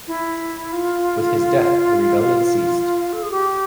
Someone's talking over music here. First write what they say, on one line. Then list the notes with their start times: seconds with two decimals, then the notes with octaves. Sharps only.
With his death, the rebellion ceased.
0.08 E4
0.73 F4
3.13 A4
3.22 G#4
3.31 G4